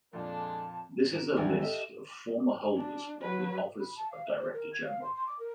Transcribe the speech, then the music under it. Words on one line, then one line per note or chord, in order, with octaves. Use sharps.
This is a list of former holders of the office of director-general.
F2 A#2 G#3 D4 F4 A4 A5
A#4
D#2 E3 F#3 G3 B3
G4 A4 D#5 E5
D4
F#3 B4
B5
A5
F5
E5
C5
A#4
G#6
F5
C6
C6
D6
A#4